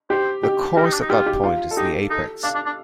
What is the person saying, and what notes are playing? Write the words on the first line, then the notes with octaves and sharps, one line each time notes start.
The course at that point is the apex.
G4 C5
G4
G4 A#4
D#4
D4
D#4
F4 G4
G4
F4
A4
D#4 G4
D#4 A4
D4 F5
D4
D4